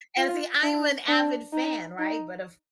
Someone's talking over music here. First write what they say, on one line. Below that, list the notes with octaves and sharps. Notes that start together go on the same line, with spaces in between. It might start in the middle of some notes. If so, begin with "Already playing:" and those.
And see, I'm an avid fan, right? But of
F4
D4
D4
D#4
D#4